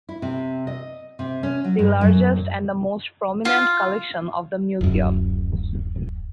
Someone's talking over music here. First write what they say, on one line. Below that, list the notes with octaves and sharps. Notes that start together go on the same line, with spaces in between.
The largest and the most prominent collection of the museum.
E4
C3
D#5
C3
C#4
F#3
G2
F#2
F4
D1 F#2